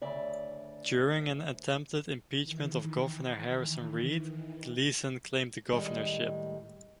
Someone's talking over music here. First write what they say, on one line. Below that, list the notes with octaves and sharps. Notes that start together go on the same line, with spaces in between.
During an attempted impeachment of Governor Harrison Reed, Gleason claimed the Governorship.
D2 C#3 D5 E5
D#3 E3
A2 D#3 G3 G#3